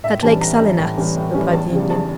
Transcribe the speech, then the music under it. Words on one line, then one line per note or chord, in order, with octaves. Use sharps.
"At Lake Salinas," replied the Indian.
A2 E5
E3 G3 C#4 A5
A2 A#5
E3 G3 C#4
A2
E3 G3 C#4
A2
E3 G3 C#4
E2 A5
C#3 G3
E2 A5